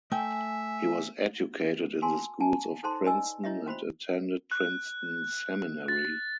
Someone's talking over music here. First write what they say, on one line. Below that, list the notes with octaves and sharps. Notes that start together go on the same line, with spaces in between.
He was educated in the schools of Princeton and attended Princeton Seminary.
A3 E5 G5 G#5
F#4 A#4 G#5 A5 C6
G#5 A5
D#4 A4 C5 A5 C6
D5 D#5 G#5 E6
E4 C#5 D#5 E5
C#4 F#4 C5 B5
F#6
A6